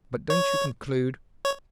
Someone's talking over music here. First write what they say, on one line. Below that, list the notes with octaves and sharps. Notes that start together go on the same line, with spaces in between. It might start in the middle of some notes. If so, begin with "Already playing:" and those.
"But don't you conclude--?"
C#5
C#5